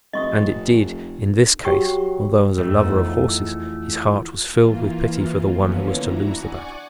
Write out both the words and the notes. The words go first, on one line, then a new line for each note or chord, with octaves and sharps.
And it did, in this case, though as a lover of horses his heart was filled with pity for the one who was to lose the battle.
F1 D#5 C#6 D#6
F#3 G4 G5 C#6
F2 A3
E2 F3 D#4
E3 A#3 F4
D3 E3 F3 A#3 B3 C#4
D4 E4 F#4 A#5
D5 F#5 G#5 C#6 D6